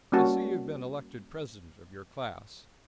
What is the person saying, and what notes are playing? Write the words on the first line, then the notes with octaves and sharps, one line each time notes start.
I see you've been elected President of your class.
G3 A#3 C#4 F#4 A5